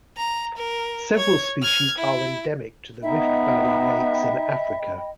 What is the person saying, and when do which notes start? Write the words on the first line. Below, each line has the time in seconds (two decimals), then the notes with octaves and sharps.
Several species are endemic to the Rift Valley lakes in Africa.
0.17 A#5
0.57 A#4
1.14 C#5 G#6
1.62 F6 G#6
1.98 E4
3.03 B3 D#4 D#5 E5 G5 B5